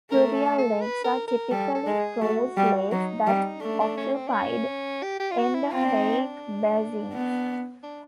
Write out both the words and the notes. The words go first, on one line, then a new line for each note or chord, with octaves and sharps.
Pluvial lakes are typically closed lakes that occupied endorheic basins.
A3 A#4
A4
A4
B4
A#4
A#4
G3 A4
A4
G#3
G#4
A3 F#4
G3
F#3 D#4
G3
A3 D4
D4
C#4
C4
D4
C#4
G4
G4
F4
F#4
E4
C4 F4
D4
D#4
D4
B3
D4